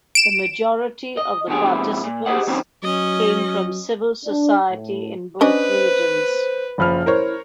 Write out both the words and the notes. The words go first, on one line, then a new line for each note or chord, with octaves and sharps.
The majority of the participants came from civil society in both regions.
D7 E7
D#5
B2 D3 F3 G4 G#4
G#2 C3 F3 E4
A#2
G4 G#4 B4 C5 D#5 F#5
D#3 F#3 C4 C#4 D#4 C5
F#3 C#4 D#5
D4
A2
C#4 D4 B4 C5 D#5
F#1 F3 B5 F6
E4 A#4 C5 C#5